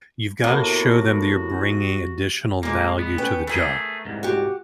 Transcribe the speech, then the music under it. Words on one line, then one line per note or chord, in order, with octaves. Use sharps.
you've got to show them that you're bringing additional value to the job.
A2 C3 A#3 B3 F#4
A#2 G#3 A#3
B3
C#4 B4 G5
A3 G#4 A#4 G5 A#5
C2 G#2
F#4 G4